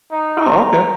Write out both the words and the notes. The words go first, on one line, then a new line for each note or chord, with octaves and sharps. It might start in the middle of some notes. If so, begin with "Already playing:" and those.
Oh, okay.
D#4
A#5